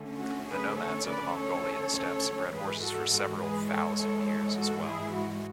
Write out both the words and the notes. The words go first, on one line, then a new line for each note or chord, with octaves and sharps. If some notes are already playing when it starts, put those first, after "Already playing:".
The nomads of the Mongolian steppes bred horses for several thousand years as well.
Already playing: D3 A3 C#4
F#4
G#4 B4
A4 C#5
B4 D5
A4 C#5
G#2 E3 G#3 G#4 B4
F#4 A4
F#4 A4
G#4 B4
A4 C#5
A4 C#5
A4 C#5
F#4 A4
E4 G#4
F#4